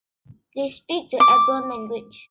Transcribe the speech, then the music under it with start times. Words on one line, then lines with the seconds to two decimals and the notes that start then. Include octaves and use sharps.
They speak the Abron language.
1.20 D6